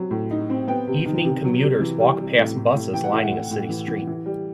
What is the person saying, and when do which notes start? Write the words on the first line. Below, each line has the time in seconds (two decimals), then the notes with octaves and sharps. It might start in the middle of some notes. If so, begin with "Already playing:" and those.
Evening commuters walk past buses lining a city street.
Already playing: F#3 C4
0.11 A2
0.31 D#4
0.50 C4
0.68 B3 G5
0.87 C3
1.06 D#3
1.25 C3
1.44 F#3
1.63 C3
1.80 E3
2.00 G3
2.19 G3
2.37 A2
2.56 A2
2.75 A2
2.94 E3 G5
3.04 F#5
3.13 A2 E5
3.23 F#5
3.32 A2
3.51 A2
3.69 E3
3.88 E3
4.07 E3
4.26 G3